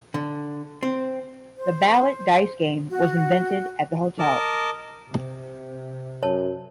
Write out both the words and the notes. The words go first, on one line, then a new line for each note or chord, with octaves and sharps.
The balut dice game was invented at the hotel.
D3
C4
C5
F#4
A#4 D#5 A5 D6
C3
F#2 C#5 A5